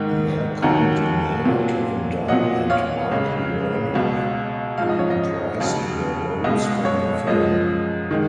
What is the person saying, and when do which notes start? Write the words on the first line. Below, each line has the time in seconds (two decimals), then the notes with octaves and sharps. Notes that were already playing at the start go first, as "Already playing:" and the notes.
Malcolm Danare, Kevin Dunn and Michael Lerner reprise their roles from the film.
Already playing: G#2 D#3 G#3
0.62 D#2 D#3 F#3 F#5 A#5
1.46 A#2 F#3
2.28 A#2 F#3 D#5 F#5
2.70 C#5 F5
3.11 C#2 C#3 G#3
3.94 C#2 B2 F#3
4.78 G#2 F3 G#3 F5
4.89 D#5
4.99 C#5
5.10 D#5
5.60 D#2 C#3 F#3
6.44 C#2 B2 G#3 D#5
6.85 C#5
7.27 F#2 F3 G#3 D#5
8.11 D#3 G#3